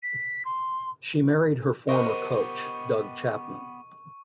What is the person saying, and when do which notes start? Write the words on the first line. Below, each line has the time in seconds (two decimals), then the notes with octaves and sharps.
She married her former coach, Doug Chapman.
0.03 B6
0.45 C6
1.89 B3 G4 A#4 C5 D#5 C#6